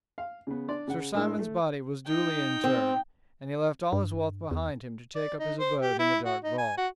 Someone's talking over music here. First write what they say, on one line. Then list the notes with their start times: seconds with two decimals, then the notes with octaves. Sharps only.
Sir Simon's body was duly interred, and he left all his wealth behind him to take up his abode in the dark vault.
0.18 F5
0.47 C#3 B3
0.69 D4 D5
0.87 C#3 F#5
1.14 A2 G#3 D4 E4 A#4 E6
1.39 A3
2.07 D#4 G5
2.64 C4
3.93 G2
4.51 E2
5.16 D5
5.40 D#4
5.60 C5
5.82 G4
6.00 E4
6.25 F#4
6.44 D#4
6.59 G#5
6.78 F#4